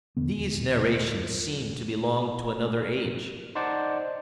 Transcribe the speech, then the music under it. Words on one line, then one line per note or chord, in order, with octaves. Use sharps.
These narrations seemed to belong to another age.
D#1 E2 D3 B3
D#4 C5 D5 F#5 A5 D6